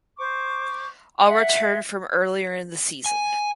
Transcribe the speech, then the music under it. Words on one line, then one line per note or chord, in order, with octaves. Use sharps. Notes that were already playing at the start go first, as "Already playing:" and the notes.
All return from earlier in the season.
C5 C#6 D6
E5 F#5
G#5